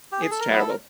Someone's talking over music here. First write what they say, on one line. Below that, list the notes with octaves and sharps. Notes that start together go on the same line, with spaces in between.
It's terrible.
G4
G#4
A4
A#4
F#3 B3 E4 B4
A4
A#4